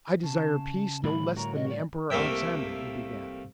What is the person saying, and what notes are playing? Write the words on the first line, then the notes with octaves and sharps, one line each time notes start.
"I desire peace, no less than the Emperor Alexander," he began.
C#3 A5
A2 D3 G3 B5
F#4 A#4 C#5 A#5
D#5
D5
C2 A3 A#3 E5 G5